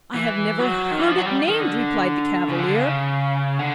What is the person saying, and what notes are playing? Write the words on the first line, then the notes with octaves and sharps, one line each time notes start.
"I have never heard it named," replied the Cavalier.
E3
F#3
D#3
E3
F3
F#3
G3
D#3
D3
C#3
D3
C#3
D3